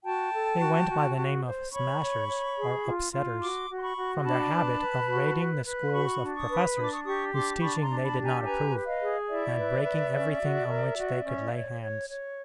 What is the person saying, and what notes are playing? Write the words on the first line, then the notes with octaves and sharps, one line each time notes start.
They went by the name of "smashers" or "upsetters," from their habit of raiding the schools of professors whose teaching they did not approve, and breaking everything on which they could lay hands.
F#4 G5 A5
A4
F#4
F#4
F#4
C5
C#5 B5 C#6
C#5
C#5
G#4
F4
F4
F#4 C6 D6
F#4
C6
B5 C#6
F#4
C6
D4 A5 B5
B4
B4
F#4
B4
B4
C6
F#4 B5 C#6
D4
C#6 D#6
B4
D4 D#6
D6
C#6 D#6
G4 C#6 D#6
D4 C6 D6
D4 B5 C#6
A#5 C6
D4
A5 B5
G4
G#5 A#5
B4 G#5 A#5
B4
D#5 F5
G#4
E4 D5 E5
B4
B4
C#4
F#4
A#4
F#4
C#4
C#5
C#5
C#5